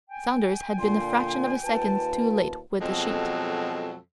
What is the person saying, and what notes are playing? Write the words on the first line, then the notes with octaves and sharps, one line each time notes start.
Saunders had been a fraction of a second too late with the sheet.
G5 G#5
A#2 D3 F4 C6
D#2 F4 B4 A5
F2 B2 F#3 G#3 A4